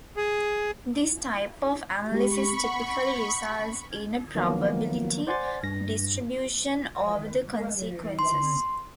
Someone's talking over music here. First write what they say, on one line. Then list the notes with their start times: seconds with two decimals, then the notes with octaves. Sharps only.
This type of analysis typically results in a probability distribution over the consequences.
0.17 G#4
2.12 G#3 G4 B5 C#6
2.64 F#5
4.35 D#3 F3 F#3 A#3 B3
5.27 C5 D5 F#5 G#5 C6 A6
5.63 G2 A#6
8.19 C6